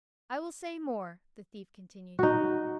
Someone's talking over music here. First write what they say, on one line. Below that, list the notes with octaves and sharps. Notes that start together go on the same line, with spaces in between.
"I will say more," the thief continued.
D#4 F#4